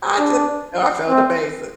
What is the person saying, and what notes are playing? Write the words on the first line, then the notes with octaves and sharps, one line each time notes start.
I just I felt amazing.
D4
C4